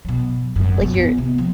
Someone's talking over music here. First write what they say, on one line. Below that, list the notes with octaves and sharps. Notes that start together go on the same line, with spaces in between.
Like, you're
B2 F#3
G#1 F#2
E1
E2 F4
C3 B3
F3 A#3